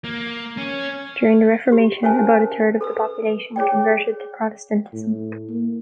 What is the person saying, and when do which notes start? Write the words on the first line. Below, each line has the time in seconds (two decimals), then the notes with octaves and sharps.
During the Reformation, about a third of the population converted to Protestantism.
0.04 A#3
0.58 C#4
1.72 G4
2.03 C#4 A#4 C5 E5 G#5 A5
2.81 A4 B4 E6
3.56 G#4 C#5 D5 G5
4.93 A2
5.50 A#3